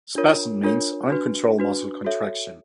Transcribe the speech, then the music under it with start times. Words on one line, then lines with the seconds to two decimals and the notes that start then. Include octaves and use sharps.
Spasm means "uncontrolled muscle contraction".
0.16 D4 F4 A#4 C#5
0.64 D4 F4 A#4 C#5
1.10 D4 F#4 B4
1.58 D4 F#4 B4
2.04 F#4 A4 C#5 E5